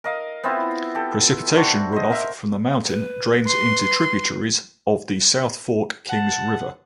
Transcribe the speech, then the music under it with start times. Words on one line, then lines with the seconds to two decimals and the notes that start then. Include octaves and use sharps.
Precipitation runoff from the mountain drains into tributaries of the South Fork Kings River.
0.04 A#4 D#5 F5
0.43 B3 C4 E4 F4
0.95 G4 A4
1.56 D4 F#4 C5
1.92 C5 D#5
2.10 A#4 E5
2.88 B4
3.47 C6
6.10 F#5 A5